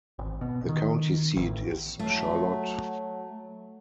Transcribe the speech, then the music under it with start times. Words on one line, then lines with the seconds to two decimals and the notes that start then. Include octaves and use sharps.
The county seat is Charlotte.
0.19 G#1
0.41 B2
0.69 D#3
1.37 A1
1.99 F#3 A3